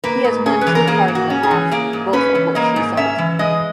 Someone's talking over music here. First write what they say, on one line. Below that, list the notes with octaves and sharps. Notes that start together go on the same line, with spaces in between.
He has won two cars in the past, both of which he sold.
A#3 B4
G#2
C#4 G#4
B4
E3
A#4
A#3 G#4
G#2
F#4
C#4
G#4
E3
A#3 G#4
G#2
C#4 B4
E3
A#3 D#5
G#2
C#4 E5
E3
G#3 D#5